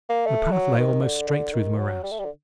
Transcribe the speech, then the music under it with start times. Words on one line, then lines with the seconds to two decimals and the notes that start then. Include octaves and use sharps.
The path lay almost straight through the morass.
0.09 A#3
0.27 A3
0.52 F#3
0.77 D#3
1.02 D3
1.28 D3
1.53 D#3
1.78 F#3
2.04 G3
2.11 A3
2.19 G3
2.25 D3